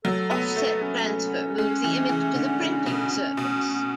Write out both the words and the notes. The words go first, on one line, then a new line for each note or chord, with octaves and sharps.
An offset transfer moves the image to the printing surface.
F#3 A4
B3
A3
C#4
G#3 C#4
E3
E3
D3
C#3
B2
C#4
B2